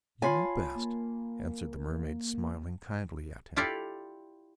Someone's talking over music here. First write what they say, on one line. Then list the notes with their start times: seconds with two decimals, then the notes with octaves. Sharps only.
"You know best," answered the Mermaid, smiling kindly at him.
0.22 F4 C#5 F5 G#5 A5 B5 C6
0.75 A#3
3.56 E4 F4 G4 A4 D5 F5